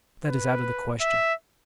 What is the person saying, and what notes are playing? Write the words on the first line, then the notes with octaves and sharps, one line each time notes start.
That is out of the question.
B4
E5